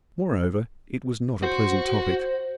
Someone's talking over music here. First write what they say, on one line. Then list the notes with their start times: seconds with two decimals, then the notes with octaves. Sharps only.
Moreover, it was not a pleasant topic.
1.43 F#4 C5